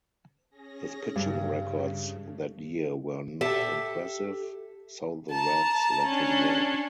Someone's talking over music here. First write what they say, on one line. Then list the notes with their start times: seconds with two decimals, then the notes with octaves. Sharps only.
His pitching records that year were not impressive, so the Reds let him go.
0.50 C#4 G#4 A#6
1.16 G2 C#3
3.41 G4 A4 E5 A5
5.30 A5 A#5
6.06 C#4 D4